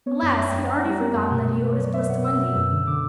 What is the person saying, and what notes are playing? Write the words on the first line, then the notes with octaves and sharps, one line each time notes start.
Alas, he had already forgotten that he owed his bliss to Wendy.
B3 C#5
F#2 D5
B3 E5
G5
F#2
F#2 A#5
F#5
G3 G4
B3 A#4
F#2
B2
B2
B2 B4
C#5
F#3
D5
F#3 E5
B2 F#5
B2 E6
B2
F#2 E6
D3
D3 D6